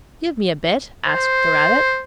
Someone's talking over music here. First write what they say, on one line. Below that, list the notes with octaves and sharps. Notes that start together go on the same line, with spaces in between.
'Give me a bit,' asked the rabbit.
C5